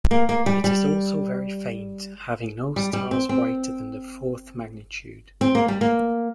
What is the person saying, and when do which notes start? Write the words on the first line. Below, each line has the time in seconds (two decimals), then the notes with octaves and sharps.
It is also very faint, having no stars brighter than the fourth magnitude.
0.11 A#3
0.29 A#3
0.46 G3
0.64 G3
2.76 G3
2.93 G3
3.11 C4
3.29 C4
5.41 C4
5.55 A#3
5.68 G3
5.81 A#3